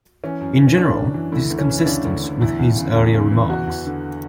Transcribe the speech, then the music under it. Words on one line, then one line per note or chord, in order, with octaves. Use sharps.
In general, this is consistent with his earlier remarks.
E3 C#4
F#2
F#2
C#4
E3 D4
F#2
E3
D2 E4
D2
C#4
E3
E4
C#3 D4
D2
D2
E2 E4
E2
C#3
E2
C#3
E3
E2 F#4
E2
D3